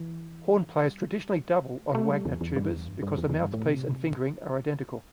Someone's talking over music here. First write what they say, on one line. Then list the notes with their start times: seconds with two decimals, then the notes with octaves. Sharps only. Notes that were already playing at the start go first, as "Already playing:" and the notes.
Horn players traditionally double on Wagner tubas because the mouthpiece and fingering are identical.
Already playing: E3
0.85 G3
1.78 A3
1.95 A3
2.09 G3
2.25 E2
2.41 E2
2.56 G2
2.71 E2
2.88 G2
3.03 G2
3.18 E2
3.29 E2
3.41 G2
3.54 A2
3.66 C3